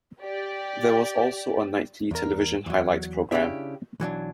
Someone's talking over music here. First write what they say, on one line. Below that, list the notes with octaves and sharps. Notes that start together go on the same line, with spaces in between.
There was also a nightly television highlight programme.
G4 D5
E2 A#4
E2 F#3
C#3 D4 E4 G4 E5
B1 E3 F#3 D4